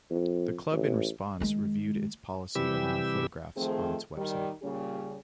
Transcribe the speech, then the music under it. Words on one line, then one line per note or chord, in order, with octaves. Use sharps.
The Club in response reviewed its policy around photographs on its website.
F2
A1
D#3 G#3
C3 E3 G3 G4 E6
D#3 F3 A3 C4 G#4
D#3 G3
A#2 C#3 G3 C#4 G4